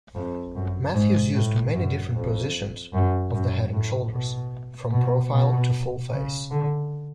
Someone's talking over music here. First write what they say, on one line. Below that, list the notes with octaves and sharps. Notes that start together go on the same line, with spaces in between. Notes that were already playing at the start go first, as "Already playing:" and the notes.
Matthews used many different positions of the head and shoulders, from profile to full-face.
F2
F#2
G#2
A2
F#2
F2
F#2
F#2
A2
B2
B2
B2
C#3
D3